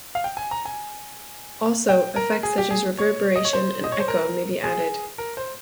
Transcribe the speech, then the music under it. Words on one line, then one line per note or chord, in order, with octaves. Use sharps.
Also, effects such as reverberation and echo may be added.
F5
G5
G#5
A#5
G#5
G5
A#4
G#4
G4
G#4
C#5
D#5
C#5
C5
D#5
C#5
C5
A#4
G#4
A#4
C5